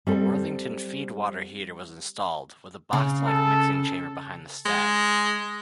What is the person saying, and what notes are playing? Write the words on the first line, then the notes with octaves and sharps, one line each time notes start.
A Worthington feedwater heater was installed, with a boxlike mixing chamber behind the stack.
G3 C4 A4
C#3
A4
G#3